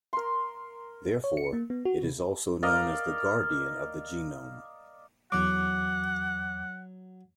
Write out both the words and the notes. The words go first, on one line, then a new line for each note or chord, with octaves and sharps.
Therefore, it is also known as the guardian of the genome.
A#4 C6
C#5
C#7
A#3
B3
F#4
C3
A#4 D5 D#5 F5
E2 F#3 F#5 D6